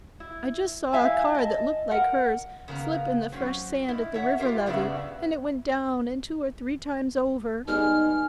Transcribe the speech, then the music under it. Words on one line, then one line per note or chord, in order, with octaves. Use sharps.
"I just saw a car that looked like hers slip in the fresh sand at the river levee, and it went down, and two or three times over."
E4
E4 E5 F5 G#5
D#5 A5
A#4 F#5
C#3 A#3 B3 A#5
F#3 C4 C#4
B2 E4
C#5 E5 F#5
F4 G4 A#4 E5
G2 C#3 B3 F#4 D5 E5
G3 G#3 B3 D#4 G#5 F6